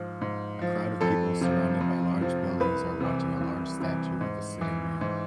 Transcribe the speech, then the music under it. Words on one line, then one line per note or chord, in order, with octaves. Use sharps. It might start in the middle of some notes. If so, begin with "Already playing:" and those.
A crowd of people surrounded by large buildings are watching a large statue of a sitting man.
Already playing: G#2 F3
G#2
F3
F2 A4
C3 F3
F2
C3 F3
C2 B4
C3 E3
C2
C3 E3
G#2
E3
G#2